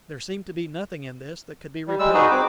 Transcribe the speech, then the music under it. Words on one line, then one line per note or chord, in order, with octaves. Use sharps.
There seemed to be nothing in this that could be repellent.
G3
G3 G#3 E6
D#4 F#4 G#4 B4
C4 D6